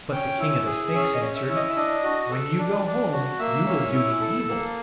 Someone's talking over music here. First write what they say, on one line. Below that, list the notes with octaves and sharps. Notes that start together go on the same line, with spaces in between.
But the King of the Snakes answered, 'When you go home, you will do me evil!'
C#4 G5
E4
G#4
C#4 E5
D#5
C#4
E5
E4
D#5
E5
D4 D#5
F#4
A4
D4
D4
F#4
A#3 E5
C#4
E4
A4
A#3